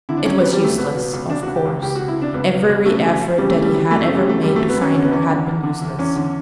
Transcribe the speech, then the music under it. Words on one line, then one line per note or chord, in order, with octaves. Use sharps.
It was useless--of course--every effort that he had ever made to find her had been useless.
D3 E4
D4
F#2 C#4
F#2 B3
G3
F#2 A3
C#2 B3
B2
C#2
C#2 D4
F#4
C#2
G4
C#2
C#2 G4
F#4
B2
E4
B2
D4
C#2 B3
B2
C#2
C#3 A3
F#2
C#3
C#3 G3
E3 A3
G3
F#2
F#2 A3
C#3 A3
G3
F#2 A3
F#2 G3
F#2 A3
B3
F#2 C#4
D3 C#4
B3
E2 C#4
D3
E2
D3
E2
E2 C#4
D3